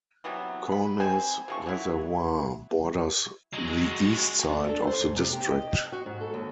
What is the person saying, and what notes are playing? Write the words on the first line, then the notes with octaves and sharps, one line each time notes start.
Kaunas Reservoir borders the east side of the district.
C3 E3 F#3 B3
B5
C4 C5 G#5
C3 F3 C#6
F#3 E4
F#3 G#3
D4
A4
C5
G#2
C3
G4
D#5
F#4
G#2
A4
D#2